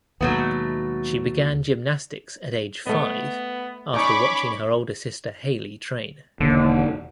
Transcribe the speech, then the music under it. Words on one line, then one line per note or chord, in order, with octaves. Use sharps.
She began gymnastics at age five after watching her older sister Hayley train.
D#2 B2 F#3 G#3 A3 B3
A3 B3 D#5
C#4 D#4 C#5 D5 B5 C#6 D6
E1 D#2 D3